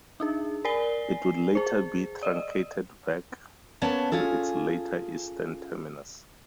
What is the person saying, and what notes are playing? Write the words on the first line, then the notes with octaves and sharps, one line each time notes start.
It would later be truncated back to its later eastern terminus.
D4 D#4 G#4
A#4 D5 G#5 C7 G7
G#4 C5
D5 D#5
A#3 B3 C#4 C#5 A5
C#4 F4 G#4 A4